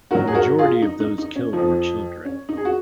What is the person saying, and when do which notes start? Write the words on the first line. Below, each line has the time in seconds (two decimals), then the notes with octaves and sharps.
The majority of those killed were children.
0.11 G#2 F#4 A#4
0.15 F#3
0.28 G#4
0.35 F#4 A#4
0.59 F4 G#4
0.82 D#4
1.00 D#4
1.18 D#4
1.36 C#4
1.53 F2 F3 D#4
2.25 C#4
2.49 D#4
2.57 G#4
2.65 F#4